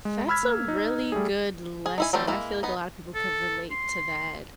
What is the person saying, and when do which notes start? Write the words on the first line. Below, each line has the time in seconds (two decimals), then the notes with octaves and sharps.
That's a really good lesson. I feel like a lotta people could relate to that.
0.05 G#3
0.28 B5 E6 F6 G#6 B6
0.43 A#3
0.68 D#4
1.12 G3 A3 G#4
1.86 G#4
1.98 D#4 E4 G#5
2.13 F#3 G3 A3 C4
2.27 G#3 A#3 E4
2.63 B3 D#4
3.15 A4
3.71 C6